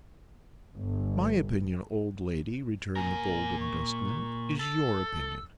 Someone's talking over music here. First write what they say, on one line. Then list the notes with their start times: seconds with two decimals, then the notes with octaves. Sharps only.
'My opinion, old lady,' returned the Golden Dustman, 'is your opinion.'
0.77 G1
2.96 A#2 A#4 G#5
3.60 C#6
4.59 A4 E6